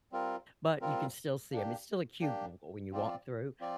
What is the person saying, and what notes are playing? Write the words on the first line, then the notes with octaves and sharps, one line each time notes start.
but you can still see 'em- it's still a cubicle when you walk through-
G3 C4 F4 A#4
G3 C4 F4 A#4
A#3 D4 G4
A#3 D4 G4
F3 C4 F4 D5
F3 C4 F4 D5